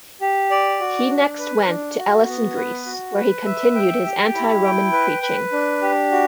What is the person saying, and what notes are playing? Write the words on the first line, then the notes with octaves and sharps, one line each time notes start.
He next went to Elis in Greece, where he continued his anti-Roman preaching.
G4
D5
F#4
D4
B4
D4
F#4
B3
B4
F#4
B4
E5
G5
G4
E4
G5
B4
B4
D4
G4
F#4